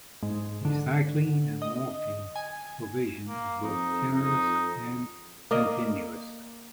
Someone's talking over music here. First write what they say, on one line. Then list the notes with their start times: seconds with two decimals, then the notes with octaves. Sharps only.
The cycling and walking provision is both generous and continuous.
0.23 G#2
0.65 D3
1.62 D#5
2.36 G#5
3.28 A#3
3.64 F2 D#4
4.14 D#4
5.51 A#3 D5 D#5